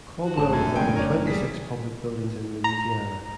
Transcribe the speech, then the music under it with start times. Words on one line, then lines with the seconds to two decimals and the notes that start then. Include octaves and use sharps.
Caldwell designed twenty-six public buildings in Louisiana.
0.24 F#4
0.37 G#1 D2 C#3 F#3 A5
0.53 F#2 G#5
0.76 F1 F2 C#3 G#3 G5
0.95 G1 F#2 C3 A#4 C#5 D5
1.27 D#1 A#2 G3 G#4 B6
2.64 A#5